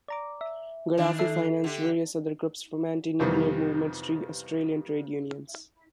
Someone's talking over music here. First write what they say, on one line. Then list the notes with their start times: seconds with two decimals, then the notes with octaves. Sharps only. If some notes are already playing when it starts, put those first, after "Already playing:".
Gaddafi financed various other groups from anti-nuclear movements to Australian trade unions.
0.08 D5 A#5 D6
0.41 E5
0.97 D#3 D4
1.18 A4 E5 C7
1.64 D3 G4
3.20 F2 C3 D#3 E3 G3 B3